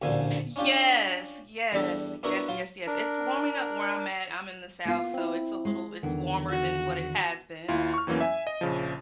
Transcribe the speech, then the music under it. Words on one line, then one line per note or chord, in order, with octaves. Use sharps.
Yes. Yes. Yes, yes, yes. It's warming up where I'm at. I'm in the South, so it's a little it's warmer than what it has been.
A1 D2 A#2 D3 F3 G#5
C#4 D4 F4 G4
E2 G3 D4 A4
B3 D4 E4 F#4 A#4 B4
F#3 F4
D4 A#4
A#3 B3 F4
C4 E4
G#3
E2 D3 D#3
F#4
D#2 E4 F4
C#6 F6
E2 E3 F#3 A#3 C#4
E5 G#5
D#5
A#1 C#3 F3